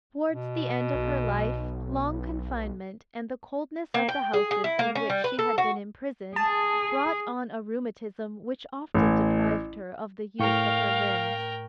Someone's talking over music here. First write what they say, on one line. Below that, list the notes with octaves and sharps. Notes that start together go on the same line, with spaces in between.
Towards the end of her life, long confinement, and the coldness of the houses in which she had been imprisoned, brought on a rheumatism which often deprived her of the use of her limbs.
B2
B1
A#3
G5
G#4
G#4
E4
A#3
C#4
G3
B4
A4
F#4
G#4 A5
A1
A2 A#4 F5 G5 C#6